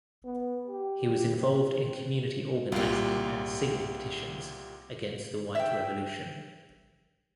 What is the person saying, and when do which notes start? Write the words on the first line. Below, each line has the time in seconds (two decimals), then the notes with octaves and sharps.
He was involved in community organizing and signing petitions against the White Revolution.
0.24 B3
0.67 G4
1.37 C4
2.72 C2 A#2 F4 G4
5.55 E5 G5